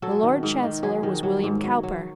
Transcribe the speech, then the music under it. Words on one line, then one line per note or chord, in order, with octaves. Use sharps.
The Lord Chancellor was William Cowper.
F#3 A4
D#3
G#2
D#3
F#3 G#4
D#3
F#3
G#2
F#3
F#3